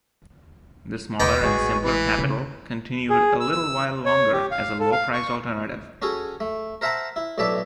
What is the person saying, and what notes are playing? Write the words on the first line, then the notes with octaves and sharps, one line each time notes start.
The smaller and simpler Capital continued a little while longer as a low-priced alternative.
D#2 B2 B3 D#5 G5 D6
A1 G#3 F#4 G#4 C#6
E3 B4
C#3
G#4
E6
E6
C#5
G4
F5
A4
F5
C#6
C#4 F#4 G#4 A4
A3
A#4 C5 E5 F#5 A5 A#5
E4
B1 A2 B3 D5 E5 A5